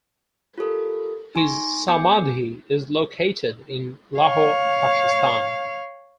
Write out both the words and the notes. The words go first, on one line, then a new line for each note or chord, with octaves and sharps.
His Samadhi is located in Lahore, Pakistan.
F4 G4 A4 A#4
D#4 G#5 C6 C#6 A#6
B3 G#5 D6 G6 C#7
C#5 F5